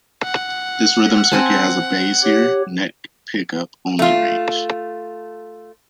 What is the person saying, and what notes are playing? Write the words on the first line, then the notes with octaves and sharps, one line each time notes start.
This rhythm circuit has a bassier, neck-pickup only range.
F#5
C4 G#5 A5
G4 C#5
A3 F4